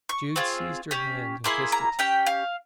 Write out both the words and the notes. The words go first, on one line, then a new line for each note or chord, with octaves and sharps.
Jude seized her hand and kissed it.
C#6
C4 F4 G#4
C#4 G4
A#3 E4 G#4 C6
A#5
C#4 G4 G5
F5